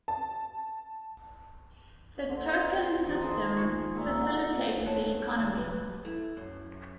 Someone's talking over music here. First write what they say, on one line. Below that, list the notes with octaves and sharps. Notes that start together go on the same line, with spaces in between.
The token system facilitated the economy.
A5
D3 C4
D#3 F3
G#4 B4 D#5 A5
C#6
A#2 E4 A#5
D3
B3 D#4 C#5 D#5 A5
E2 A2 C3
B4
A3 E4
F#2